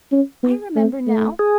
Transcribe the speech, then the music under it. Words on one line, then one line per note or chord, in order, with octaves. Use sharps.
I remember now!
C#4
B3
A3
A3
G#4